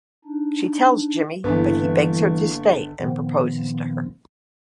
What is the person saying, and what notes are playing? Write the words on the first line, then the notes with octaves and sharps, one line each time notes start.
She tells Jimmy but he begs her to stay and proposes to her.
D4 D#4
G1 G2 E3 A#3 B3 C#6
A#2 D#3 F3 B3 C4